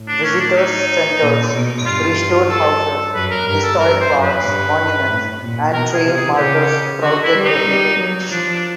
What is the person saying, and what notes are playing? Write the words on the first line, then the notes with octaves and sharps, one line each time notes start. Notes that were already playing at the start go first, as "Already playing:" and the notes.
Visitors' centers, restored houses, historic parks, monuments, and trail markers sprouted everywhere.
Already playing: A2
D4
C#4
D4
D#4
A#2
B2
G2 F4
A4
F#2 B4
A#4
G2 A#4
A4
G2 A#4
C5
F#2
B4
G2
A2
A#2
B2 A#4
G#4
C3
G#4
C#3 G4
D3 F#4
E4
G3
D#4
G3
F#3
F3 D4
D4